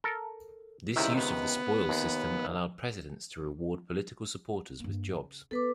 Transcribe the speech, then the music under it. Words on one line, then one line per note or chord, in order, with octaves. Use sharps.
This use of the spoils system allowed presidents to reward political supporters with jobs.
A4 A#4
C#2 C3 D#3 E4
B3
D#2
G2 A#3
C#3
B3 A4 B4 D6